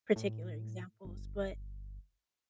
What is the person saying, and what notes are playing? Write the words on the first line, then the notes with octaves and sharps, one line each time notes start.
particular examples- but
A2
G1